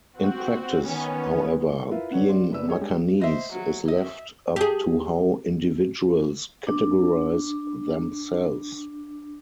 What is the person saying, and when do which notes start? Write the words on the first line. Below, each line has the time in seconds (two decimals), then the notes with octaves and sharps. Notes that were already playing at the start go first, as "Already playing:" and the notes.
In practice, however, being Macanese is left up to how individuals categorize themselves.
0.18 C4 F#4
0.84 D#3 B3 C#4
1.91 E4 F4 A#4 B4 E5
2.12 C4 A4 B4 C#5 D5 F#5
2.29 G3 D5 C6
2.52 F#1 E4 B4 D5 E6
2.67 D#4 G4 G#4 C#5 D#5
2.81 G#3 D4 G4
3.21 C5 D#5 E5
3.52 F#3
3.88 D#5 E5
4.56 G4 G#4
6.67 D4 D6